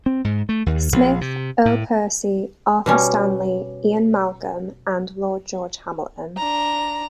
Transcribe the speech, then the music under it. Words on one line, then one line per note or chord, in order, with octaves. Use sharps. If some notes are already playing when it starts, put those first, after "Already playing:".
Smith, Earl Percy, Arthur Stanley, Ian Malcolm and Lord George Hamilton.
C4
G#2
A3
D#2
A#1
C3
A2
B2 G3 C#4
D4 A#5